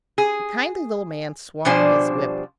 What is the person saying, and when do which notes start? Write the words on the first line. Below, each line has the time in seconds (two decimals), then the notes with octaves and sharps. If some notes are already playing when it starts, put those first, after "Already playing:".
The kindly little man swung his whip.
0.18 G#4
1.65 B2 F3 G3 D4 C5 G#5